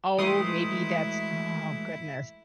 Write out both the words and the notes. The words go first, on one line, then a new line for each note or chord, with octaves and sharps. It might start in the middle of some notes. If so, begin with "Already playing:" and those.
Oh, maybe that's Oh, goodness.
E3 G#3 A3 E4 F#4 C6 D#6